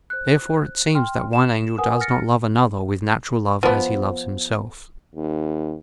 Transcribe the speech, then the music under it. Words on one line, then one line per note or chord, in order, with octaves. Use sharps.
Therefore it seems that one angel does not love another with natural love as he loves himself.
C5 F#6
G5 C6 F6
E7
A#4 B4 F#5 G#5 D#6
F6 A6 A#6 C#7
F3 B3
D#2